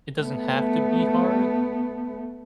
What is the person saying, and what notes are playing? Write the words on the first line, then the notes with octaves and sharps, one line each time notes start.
It doesn't have to be hard
A3 B3